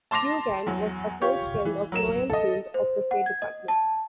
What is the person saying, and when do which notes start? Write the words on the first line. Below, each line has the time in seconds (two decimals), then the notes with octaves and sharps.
Duggan was a close friend of Noel Field of the State Department.
0.11 A5 C6 D6 A#6 F7
0.66 E2 F#3
1.21 F4 G4 C#5
1.65 E3
1.92 F#3 A#4 E7
2.30 A4 D#5
2.74 C5
3.11 F#5
3.26 G#6
3.42 D#5
3.68 A5